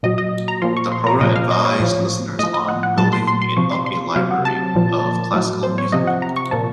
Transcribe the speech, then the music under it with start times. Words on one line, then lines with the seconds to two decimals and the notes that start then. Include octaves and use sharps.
The program advised listeners on building up a library of classical music.
0.03 A#2 F#3 D#5
0.18 D#5
0.48 A#5
0.62 A#2 F3 C6
0.77 C#6
0.92 C6
1.07 A#5
1.21 A#2 F3 D#5
1.36 F5
1.51 D#5
1.65 C#5
1.80 A2 F3
2.39 A2 F3 D#5
2.54 D#5
2.68 F#5
2.83 F#5
2.98 A#2 F#3 A5
3.13 C6
3.27 C6
3.42 C6
3.57 C3 F3 C#6
3.72 C6
3.86 C6
4.16 C3 F#3 F5
4.31 F#5
4.45 A5
4.75 A#2 F3
5.33 A2 F#3
5.63 C5
5.78 C#5
5.92 C3 F3 D#5
6.07 F#5
6.22 A#5
6.36 C#6
6.51 A#2 F3 A5